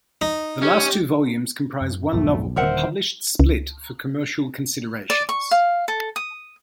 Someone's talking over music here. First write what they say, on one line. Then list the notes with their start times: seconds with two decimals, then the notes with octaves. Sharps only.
The last two volumes comprise one novel, but published split for commercial considerations.
0.22 D#4
0.62 C#4 G4
1.81 F#2
2.13 B1 F2 G#2 A3
2.56 D#1 D3 D#3 A#4 C5 E5 F#5
3.39 C#2
5.10 D5
5.29 C#6
5.51 F5
5.88 A4
6.16 D#6